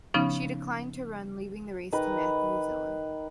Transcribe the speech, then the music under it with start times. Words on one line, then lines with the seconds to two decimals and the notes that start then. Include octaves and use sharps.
She declined to run, leaving the race to Matthew Zeller.
0.14 C#3 F3 B3 C#4 D#4
1.93 D#3 B4 A#5